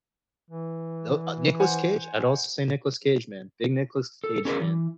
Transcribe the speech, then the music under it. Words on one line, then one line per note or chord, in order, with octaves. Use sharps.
No, uh, Nicholas Cage, I'd also say Nicholas Cage, man, big Nicholas Cage fan.
E3
C5 F#5 G#5
A4
C#4 G#4 A#4 B4
E3